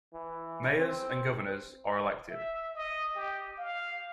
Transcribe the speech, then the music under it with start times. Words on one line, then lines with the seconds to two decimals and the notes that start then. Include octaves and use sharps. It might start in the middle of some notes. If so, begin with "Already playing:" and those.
Mayors and governors are elected.
0.13 E3
0.77 C4
2.30 E5
2.75 D#5
3.16 G4
3.58 F5